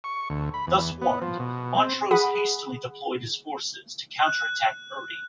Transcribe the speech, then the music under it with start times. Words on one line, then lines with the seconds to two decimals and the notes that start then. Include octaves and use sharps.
Thus warned, Montrose hastily deployed his forces to counter-attack Urry.
0.04 C#6
0.30 D2
0.54 B5
0.67 E2
1.01 B3
1.22 F3
1.39 B2
1.77 C4
2.11 G#4 F#5 B5 D#6
4.26 F#6